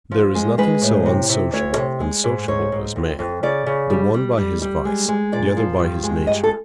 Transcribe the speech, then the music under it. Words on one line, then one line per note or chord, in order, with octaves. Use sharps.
There is nothing so unsociable and sociable as man, the one by his vice, the other by his nature.
F3
G#3
G#3 B4
A2
C3
C3
D2 C#5
C3
G#3
G#2
G#2 C#5
G#2
F2
F2
C#3 D5
C#3
G3
G3
G3
G3
G#3
G#3
A#2 D5
F3
G2
G#3
G2 D#5
A4